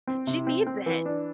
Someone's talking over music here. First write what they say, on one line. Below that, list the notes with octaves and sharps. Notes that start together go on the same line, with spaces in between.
she needs it."
C4
C3
C4
C4
E3
D4